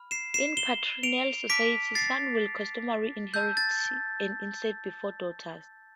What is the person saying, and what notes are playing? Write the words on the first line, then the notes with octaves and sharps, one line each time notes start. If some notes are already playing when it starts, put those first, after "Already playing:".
In patrilineal societies, sons will customarily inherit an estate before daughters.
Already playing: B5 F6
C7 E7
C7 E7
E7 G7
D7 F7
A5 D6 F6 B6 D7
A6 C7
A5 E6 G6
A6